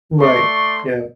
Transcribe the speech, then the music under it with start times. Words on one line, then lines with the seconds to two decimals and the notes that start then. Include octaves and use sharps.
Right, yeah.
0.20 A3 D5 C6 C#6